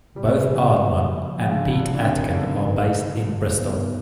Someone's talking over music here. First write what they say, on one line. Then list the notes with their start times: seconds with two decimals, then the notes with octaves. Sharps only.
Both Aardman and Pete Atkin are based in Bristol.
0.15 C#3 G3
0.47 D#2
0.79 A#3
1.10 F3
1.40 C#3 F3
1.51 D3
1.60 C#3
1.72 A2 D3
1.94 D3
2.03 D#3 C4
2.18 C#3
2.35 D3 A3
2.50 D#3
2.65 D#3 F#3
2.97 D3
3.28 D3
3.59 B3